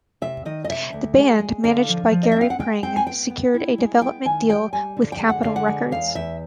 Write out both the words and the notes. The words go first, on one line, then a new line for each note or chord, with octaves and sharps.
The band, managed by Gary Pring, secured a development deal with Capitol Records.
C3 E5
D#3 D#5
D#5
C3 E5
D2
G#3
G#3
D3 F5
F3
F3
D#5
E5
C4 F5
F#5
G#3 G5
C4 G5
G#5
B3 G5
B3
E4
G#3
B3 G5
D#3 G#5
G3 G5
G3 G#5
D3
G5
G#3
F#5
D3 F5
F#5
G#3
E2 F5
E2 E5